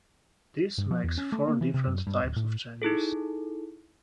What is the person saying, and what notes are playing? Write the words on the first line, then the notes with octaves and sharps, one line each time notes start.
This makes four different types of changes.
G2
F3
E2
C#4
A3
A#3
E3
C3
F#2
G2
D1
A2
D#4 E4 G#4 A4